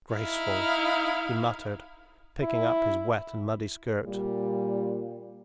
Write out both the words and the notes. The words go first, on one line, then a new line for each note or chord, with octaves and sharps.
"Disgraceful!" he muttered, picking up his wet and muddy skirt.
D#4 E4 F5
E4
A#2 G3